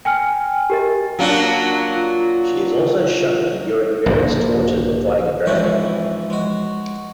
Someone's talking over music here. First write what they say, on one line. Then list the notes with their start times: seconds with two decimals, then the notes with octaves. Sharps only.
She is also shown enduring various tortures or fighting a dragon.
0.05 G5 G#5 F6
0.70 G4 A#4 D#5
1.19 F#3 A#3 D4 F4
4.06 A#1 G2
5.46 F2 G#2 E3 C#4 E4 C#6
6.30 G#3 F#4